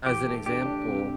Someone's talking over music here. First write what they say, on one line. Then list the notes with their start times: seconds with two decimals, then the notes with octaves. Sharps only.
as an example
0.06 E3 G4
0.26 A3
0.46 D4 G4
0.66 D4
0.86 C3